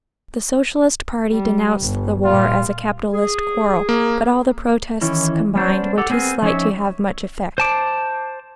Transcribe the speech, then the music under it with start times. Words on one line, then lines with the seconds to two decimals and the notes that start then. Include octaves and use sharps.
The Socialist party denounced the war as a capitalist quarrel; but all the protests combined were too slight to have much effect.
1.32 G3
1.81 G1
2.24 A#2 G3 F4
3.13 G#4
3.89 A#3
5.01 D#3 E3 C#4 E4
5.55 G3 B3 C#4 D4 C5
5.98 G4 A4 F#5
6.10 B3 C4 G#4 A#4 B4
6.42 F3 C#4 D#4 G4 C#5 E5
7.58 C5 A5 D6